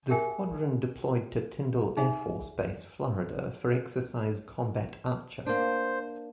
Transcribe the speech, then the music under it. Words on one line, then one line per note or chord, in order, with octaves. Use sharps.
The squadron deployed to Tyndall Air Force Base, Florida, for exercise Combat Archer.
G4 G#4 A#4 E5 G5 G#5
D#4 G#4 E5 G#5
A#3 D4 C5